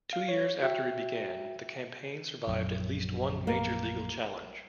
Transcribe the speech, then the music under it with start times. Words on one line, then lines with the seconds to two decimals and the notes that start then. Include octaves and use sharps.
Two years after it began, the campaign survived at least one major legal challenge.
0.13 F5
0.29 C#5
0.62 F#4 E5 G5
2.47 A#1 F#2
3.47 A#3